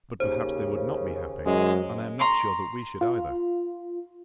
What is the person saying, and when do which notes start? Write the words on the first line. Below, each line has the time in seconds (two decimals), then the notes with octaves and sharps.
But perhaps they would not be happy, and I am not sure that we should either.
0.20 D#2 C#3 C5
1.46 F#2 G#3
2.19 A#5 C6 C#6
3.01 F4